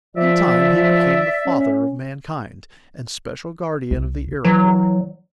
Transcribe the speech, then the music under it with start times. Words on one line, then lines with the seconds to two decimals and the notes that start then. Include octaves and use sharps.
In time he became the father of mankind, and special guardian of the Iroquois.
0.16 F3 D5 E5
1.46 C#4
3.91 C2
4.44 E3 F#3